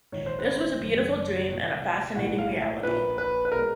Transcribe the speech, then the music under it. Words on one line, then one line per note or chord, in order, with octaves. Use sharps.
This was a beautiful dream, and a fascinating reality.
A#1 G#2 D#3 C#5
C5
B4
C5
F#1 F#2 D#3
C2 A#2 G3 A#3
F5
B1 A2 F3 A#3 F#5
F5
E5
A#1 A#2 F3 A#3 B4
B4
B4
B2 G#3 A#4